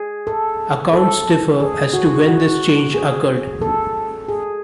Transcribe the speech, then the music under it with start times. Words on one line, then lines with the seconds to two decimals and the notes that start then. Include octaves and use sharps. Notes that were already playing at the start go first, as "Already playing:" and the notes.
Accounts differ as to when this change occurred.
Already playing: G#4
0.27 A4
0.93 A4
1.60 G#4
1.93 F#4
2.28 F#4
2.94 G#4
3.62 A4
4.29 G#4